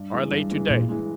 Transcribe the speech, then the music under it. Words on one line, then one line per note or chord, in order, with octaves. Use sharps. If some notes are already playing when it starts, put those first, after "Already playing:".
Are they to-day?
Already playing: G2
E3 G#3
G2
E3 G#3
G2 A#2
E3 G#3